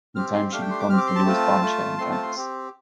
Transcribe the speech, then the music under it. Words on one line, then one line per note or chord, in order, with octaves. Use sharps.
In time she becomes the newest bombshell in campus.
C4 G4 F6
C6
A3 D4 G4 F5
G5
C6
D6
C4 G4 F6
D6
C6
A5
A3 C4 F4
A3 F4
A3 C4 F4 C6
A5
C6
C4 G4